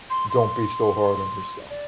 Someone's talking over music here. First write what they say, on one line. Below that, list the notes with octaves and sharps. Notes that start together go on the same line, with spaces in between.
don't be so hard on yourself.
C6
C6
D5